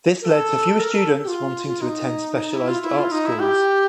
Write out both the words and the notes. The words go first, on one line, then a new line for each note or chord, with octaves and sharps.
This led to fewer students wanting to attend specialised art schools.
A#4
A4
A#4
A4
G4
F4
F4
D#4
E4
F4
E4
F4
D#4
E4
G4